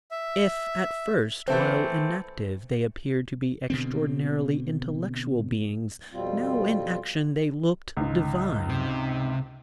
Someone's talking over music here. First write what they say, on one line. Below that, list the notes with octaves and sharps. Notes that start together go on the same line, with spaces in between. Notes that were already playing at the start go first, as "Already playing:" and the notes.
If at first while inactive they appeared to be extraordinarily intellectual beings, now in action they looked divine.
E5
E3 A3 C4
B2 D3 C4
F2 B2 G3 C4 F4
C#2 G#2
C3